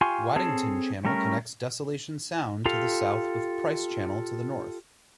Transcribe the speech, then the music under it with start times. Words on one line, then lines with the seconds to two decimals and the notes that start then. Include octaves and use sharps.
Waddington Channel connects Desolation Sound to the south with Pryce Channel to the north.
0.01 F4 G4 G#5 C6 C#6
0.36 C4 G#4 A4 C#5 A5
1.05 G3 A3 C#4 A#4
2.66 F4 G4 A4 F5